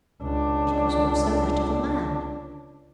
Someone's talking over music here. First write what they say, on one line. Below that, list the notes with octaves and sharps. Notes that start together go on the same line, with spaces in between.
It was also that of a man.
C#2 D4